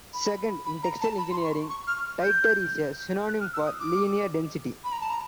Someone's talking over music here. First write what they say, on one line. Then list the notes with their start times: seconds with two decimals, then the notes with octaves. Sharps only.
Second, in textile engineering, titer is a synonym for linear density.
0.14 B5
0.66 B5
0.83 A#5
1.01 A5
1.18 B5
1.31 C6
1.44 C#6
1.70 C#6
1.87 F6
2.22 G6
3.28 F#6
3.40 F6
3.53 E6
3.66 D#6
3.80 D6
4.84 B5
4.92 A#5
5.01 A5
5.09 A#5